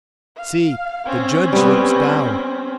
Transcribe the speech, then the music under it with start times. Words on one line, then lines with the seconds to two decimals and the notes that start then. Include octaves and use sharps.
See! the Judge looks down ...
0.37 F5
1.06 C4 C#4
1.53 G3 B3